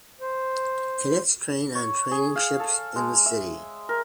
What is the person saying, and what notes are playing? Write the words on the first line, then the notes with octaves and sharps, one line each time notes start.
Cadets train on training ships in the city.
C5
C#5
G#4
F5
A4
G#3
E5
A#4